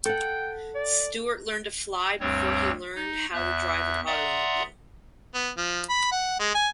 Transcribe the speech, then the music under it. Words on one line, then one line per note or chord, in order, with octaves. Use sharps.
Stewart learned to fly before he learned how to drive an automobile.
A4 F#5 G5
D5
D2 G2 G3 C4 C#5
D#4
E2 E5 F#6
D5 E5 F#5 A#5 C6 D#6
B3
F3
B5
F#5
G#3
G#5